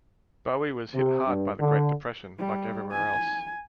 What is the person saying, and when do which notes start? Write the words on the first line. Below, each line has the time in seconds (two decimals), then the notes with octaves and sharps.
Bowie was hit hard by the Great Depression like everywhere else.
0.94 C3
1.26 G2
1.60 D3
2.38 G3
2.91 G#5